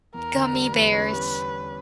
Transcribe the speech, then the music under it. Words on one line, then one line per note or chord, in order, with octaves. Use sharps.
Gummy bears,
E2 A#4
D3
G3
E2 B4
C#4
G3